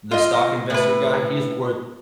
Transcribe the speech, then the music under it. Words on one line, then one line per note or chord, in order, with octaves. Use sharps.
the stock investor guy, he is worth
F4 D#5
A2 B4